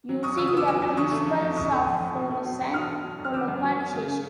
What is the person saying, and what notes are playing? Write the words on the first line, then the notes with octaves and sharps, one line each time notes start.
Using the principles of fluorescent colocalization.
F#3
E2 C#6 D#6
C#3 E6
D#6
B3 D6 E6
F#3 D6 E6
E2
C#3 C#6 D#6
A3
F3
F2
C#3 C#6 D#6
A3
F3
F2
B2
A3
F#3
E2
B2 D#6 F6
A3
F#3
E2
F6
C#3 D6 E6
F#2
F#3
F#2
C#3